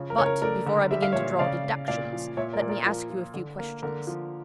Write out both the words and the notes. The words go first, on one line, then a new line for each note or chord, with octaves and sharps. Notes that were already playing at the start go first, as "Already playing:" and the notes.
But, before I begin to draw deductions, let me ask you a few questions.
Already playing: C#3 F3
A#4
C#3 C#5
A#4
A3 A#4 D5
D3
G3 E5
F5
C#5 E5
A#2
C#3 D5 F5
C#3
A#2 D5 F5
F3
A#2 C#5 E5
A#4 D5
A#2
A#4 D5
F3 A#4
F3
D3
A#3
D3 A#4
F3